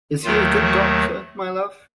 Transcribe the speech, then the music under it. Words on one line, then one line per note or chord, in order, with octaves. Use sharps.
Is he a good doctor, my love?
D#2 D#3 F#3 A3 F4
F#4